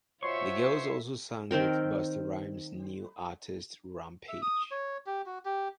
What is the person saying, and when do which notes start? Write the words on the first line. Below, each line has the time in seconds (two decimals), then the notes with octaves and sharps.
The girls also sang with Busta Rhymes' new artist Rampage.
0.23 B2 F4 C5 C#5 E5 C6 C#6
1.51 D#3 C4 A#4 G5
4.28 E5
4.42 D#6
4.71 C#5
5.06 G4
5.26 F#4
5.45 G4